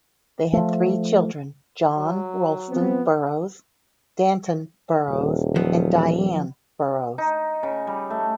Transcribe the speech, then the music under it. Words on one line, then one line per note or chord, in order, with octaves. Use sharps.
They had three children, John Ralston Burroughs, Danton Burroughs, and Dian Burroughs.
F3 A3
F#3
F3 B3 C4
D#1
F3 F#3 B3
D#4
C#3
G3
A3